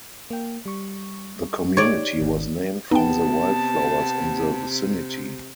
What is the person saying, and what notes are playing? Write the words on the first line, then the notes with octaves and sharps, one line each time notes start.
The community was named from the wildflowers in the vicinity.
A#3 G5
G3 C#6
D#4 G4 C#5 D5
G#1 D#3
C3 B3 D#4 G5 A5